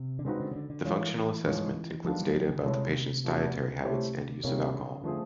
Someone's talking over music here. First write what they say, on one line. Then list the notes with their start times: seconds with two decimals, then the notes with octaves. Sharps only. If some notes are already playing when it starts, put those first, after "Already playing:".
The functional assessment includes data about the patient's dietary habits and use of alcohol.
Already playing: C3
0.19 D3
0.25 C#3 G#3 C4 D#4 F#4 B4
0.40 D3
0.51 C#3
0.56 D3
0.70 D3
0.85 E3 G#3 C#4 F4
1.44 G#2 F3 G#3 C#4
2.04 D#3 F3 F#3 B3 D4 F4
2.20 G3
2.34 F#3
2.50 C#3
2.65 C3 G#3 C#4 E4 A4 C#5
3.24 F3 A3 D4 F#4
3.84 A3 C#4 E4 G4 C5
4.43 C3 D#3 G3 A#3 C#4
4.74 C#3
5.04 D3 F3 A3 C4 F4 G#4